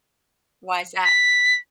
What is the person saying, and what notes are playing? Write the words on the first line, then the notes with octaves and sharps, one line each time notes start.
Why's that?
B6